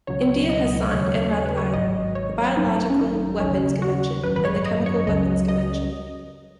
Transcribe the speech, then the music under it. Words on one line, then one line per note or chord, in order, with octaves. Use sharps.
India has signed and ratified the Biological Weapons Convention and the Chemical Weapons Convention.
C#2 B2 F#3 C#5
D#5
D#2 C#3 F#3 C#5
C#5
B4
C#5
G#1 G#2 F#3 D#5
C#5
G#1 F#2 F#3 D#4
C#4
D#4
D#2 C#3 F#3 C#4
F#4
G#1 F#2 F#3 B4
B4
C#5
D#5
C#5
C#2 C#3 F#3 D#5
D#5